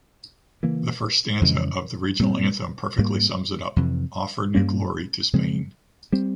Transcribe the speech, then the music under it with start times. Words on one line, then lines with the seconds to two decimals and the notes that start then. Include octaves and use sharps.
The first stanza of the regional anthem perfectly sums it up: "offer new glory to Spain".
0.63 C#3 E3 A#3
1.41 F2 C#3 E3 G#3
2.19 A#2 G3 C4
2.98 G#2 G3 A#3
3.76 F2 C3 E3
4.55 G2 G3 A#3 C#4
5.33 C#3 F3 G#3 C4
6.13 G3 C4